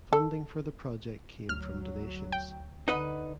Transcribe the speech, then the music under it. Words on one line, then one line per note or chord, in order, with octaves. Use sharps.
Funding for the project came from donations.
A4
D2 F#3 F6
G5
D3 D#4 B4 D#5 F#5